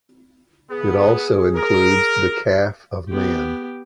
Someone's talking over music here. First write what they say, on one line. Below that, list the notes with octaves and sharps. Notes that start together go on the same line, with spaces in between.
It also includes the Calf of Man.
B3 G#4
A#4
B3 G4